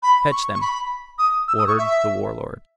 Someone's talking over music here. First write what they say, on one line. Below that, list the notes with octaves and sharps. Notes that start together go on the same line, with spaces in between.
"Fetch them," ordered The Warlord.
B5
C#6
C#6
B5
D#6
E6
D#6
C#6
E5